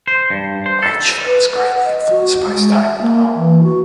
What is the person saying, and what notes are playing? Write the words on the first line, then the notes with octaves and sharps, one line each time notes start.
Eichler was greatly influenced by his time in the home.
C5
G2
C5
A4
B4
F#5
D#5
F#4
G#3
E5
A#3
E3
F#4